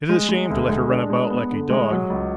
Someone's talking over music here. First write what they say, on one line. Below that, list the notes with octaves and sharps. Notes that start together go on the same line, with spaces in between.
It is a shame to let her run about like a dog.
G#3
G#3
D2
G#3
D4
G#3
B3
D3
G#3
F#3
C#2